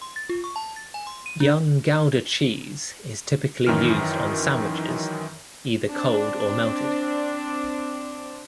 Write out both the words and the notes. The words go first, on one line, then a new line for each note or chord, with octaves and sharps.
Young Gouda cheese is typically used on sandwiches, either cold or melted.
C6
A6
F4
C#6
A5
A6
G#5
C6
D#7
D4
F#2 D#3 E3 F6
C4 D4